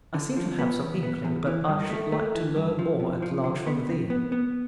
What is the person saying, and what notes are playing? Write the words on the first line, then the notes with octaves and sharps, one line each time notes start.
'I seem to have some inkling, but I should like to learn more at large from thee.'
D3
F3
B3
E2
B3
E2
E3
G2
A3
A3
E3
G2
F3
F2
F3
D3
B3
F2
B3
B3